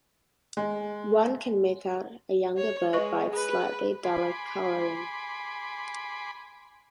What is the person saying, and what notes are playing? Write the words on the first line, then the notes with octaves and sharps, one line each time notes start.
One can make out a younger bird by its slightly duller coloring.
G#3
C#5
G#3 B4 D#5 C#6
G#4 B4
G#5 B5 C6 D6